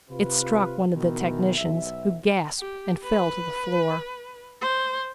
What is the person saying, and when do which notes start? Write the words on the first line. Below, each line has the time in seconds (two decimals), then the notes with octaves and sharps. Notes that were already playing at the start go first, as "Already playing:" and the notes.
It struck one of the technicians, who gasped and fell to the floor.
0.11 C3 F4 B4
0.95 B2 D#3 E3
1.57 B1 E5
2.59 G4
3.03 B4
4.61 C5